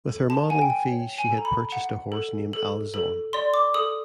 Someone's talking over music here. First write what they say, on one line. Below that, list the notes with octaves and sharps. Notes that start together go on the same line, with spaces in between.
With her modelling fees, she had purchased a horse, named Alezon.
A4
A5
F#5 G#5
G5
G#5
C#5 G5
G#5
A4
A#5
B5
F#5
A4
A4
A4
D5 C6
D6
A4 D#6